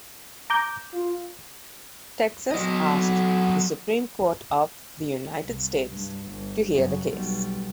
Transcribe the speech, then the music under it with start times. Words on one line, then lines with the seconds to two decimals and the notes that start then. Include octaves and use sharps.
Texas asked the Supreme Court of the United States to hear the case.
0.50 A#5 D6 G6
0.93 F4
2.51 F#3 D#5
5.40 C2
5.89 G2
6.28 G1
6.70 F#2 C#3
7.06 B1 G3